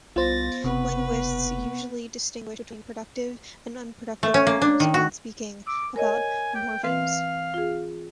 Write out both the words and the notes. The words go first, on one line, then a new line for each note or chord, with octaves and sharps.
Linguists usually distinguish between productive and unproductive forms when speaking about morphemes.
C2 B3 F4 C5 A6 A#6
F#1 C3 B3 B4 F#5 C#6
A3
C#4
A#3
D4
D#3
F#4
D6 E6
A#4 C#5 D#5 G#5
G5
E3 C4 B4 F5
F4 G#4